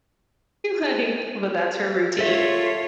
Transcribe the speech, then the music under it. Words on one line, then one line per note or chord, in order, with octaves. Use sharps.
Like" but that's her routine.
F4 A4 C#5 E5